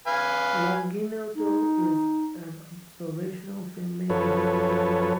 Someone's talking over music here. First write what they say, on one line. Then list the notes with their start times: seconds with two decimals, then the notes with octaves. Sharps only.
Longinotto is an observational filmmaker.
0.07 B4 F5 G#5
1.35 D#4
4.10 F#2 F3 A4 B4 C#5